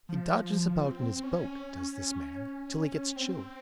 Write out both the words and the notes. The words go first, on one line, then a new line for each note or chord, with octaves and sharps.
He dodges about in his boat, does this man, till he gets chilled.
F3
C4
C#4
C4